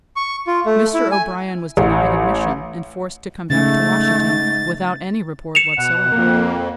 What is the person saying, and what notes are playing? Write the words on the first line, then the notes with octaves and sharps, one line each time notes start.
Mr. O'Brien was denied admission and forced to come back to Washington without any report whatsoever.
C#6
F4
A3
E4
G#5
A1
G#2 C#3 A3 A6
C#7 E7 F7
B2 F#5
F2 A#3